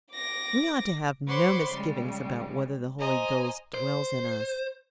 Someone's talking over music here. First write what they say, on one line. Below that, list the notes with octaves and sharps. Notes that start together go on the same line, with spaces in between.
We ought to have no misgivings about whether the Holy Ghost dwells in us.
D6 A#6
C5 C#5 F#5 B5 C6 D6
C#3 G3 G#3
C5 D#5 G#5 A#5
C5